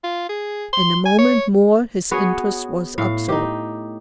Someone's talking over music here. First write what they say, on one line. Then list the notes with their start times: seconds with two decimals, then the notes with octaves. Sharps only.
In a moment more his interest was absorbed.
0.04 F4
0.29 G#4
0.73 C6
1.05 G#5
1.18 C#5
2.11 B3 F#4 G#4 C#5
2.98 A2 F5
3.28 D#4 G4